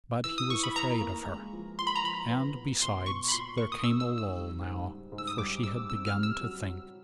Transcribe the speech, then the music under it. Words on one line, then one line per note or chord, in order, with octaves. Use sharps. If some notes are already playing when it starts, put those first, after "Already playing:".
But he was afraid of her; and besides, there came a lull now, for she had begun to think.
E3 E6
D#6
E3 C#6
B5
E3 A#5
A#3
G#3
F3
F3 C6
B5
A#5
F3 B5
B3
B3
B2 C6
B2 C#6
B5
A#2 C6
A#3 C#6
D#6
A#3 E6
E6
D#4
E6
G3
G#2
G3
G#2
E6
D#6
G3 D6
G3 E6
C4 E6
F6
G3
E6
F#3
F#3